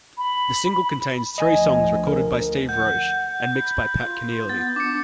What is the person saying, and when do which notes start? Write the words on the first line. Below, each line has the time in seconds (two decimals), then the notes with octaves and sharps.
The single contains three songs recorded by Steve Roche and mixed by Pat Kenneally.
0.18 B5
1.38 D2 F3 D#5 G#5
2.07 A#4
2.69 F#5 G6
3.55 B5
4.06 F4
4.49 B3 A6
4.76 D4 D6 C#7